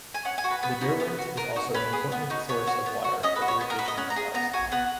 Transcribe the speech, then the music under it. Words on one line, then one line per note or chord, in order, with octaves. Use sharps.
The Derwent is also an important source of water for irrigation and water supply.
G#5
C#4 F#5
G#5
F#4
B4
B3 B4
D#4 F#4
B3
F#4
B3 A#4
D#4 F#4
C#4 B4
G#4
B3
D#4 F#4
B3 C#5
F#4
B3
F#4
C#4 D#5
B4
F#4
C#5
B3
A#4
F#4 B4
D#5
C#4 F#5
A#5
G#4
B3 A#5
F#4 G#5
B3 F#5